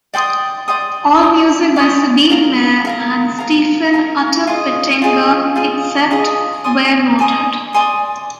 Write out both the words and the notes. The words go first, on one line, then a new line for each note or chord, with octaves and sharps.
All music by Sabine Mair and Stefan Unterpertinger except where noted.
D5 G5 C6 D#6
D5 G5 C6 D#6
D5 G5 C6 D#6
D5 G5 C6 D#6
A#4 F5 A#5
A#4 F5 A#5
A#4 F5 A#5
A#4 F5 A#5
F4 G#4 D#5
F4 G#4 D#5
F4 G#4 D#5
F4 G#4 D#5
D5 G#5 C6 D#6
D5 G#5 C6 D#6
D5 G#5 C6 D#6